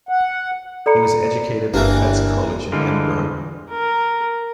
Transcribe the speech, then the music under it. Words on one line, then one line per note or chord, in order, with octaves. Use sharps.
He was educated at Fettes College in Edinburgh.
F#5
A4 D5 A#5 B5 C#7
G1 E3 A#3 D4 G4
D3 E3 G3 G#3 F4
A#4